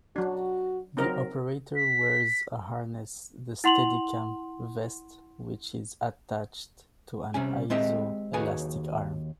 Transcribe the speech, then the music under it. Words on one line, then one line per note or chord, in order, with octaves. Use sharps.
The operator wears a harness-the Steadicam "vest"-which is attached to an iso-elastic arm.
F#3 D4 F#4
F#3 C4 D#4 A#4
B6
E4 F#5 C6 F7 F#7
C3 G3 C#4 G#5
G#3 C4 G4 D#5 E5
D#2 F#4 G#4 B4 C#5 G#5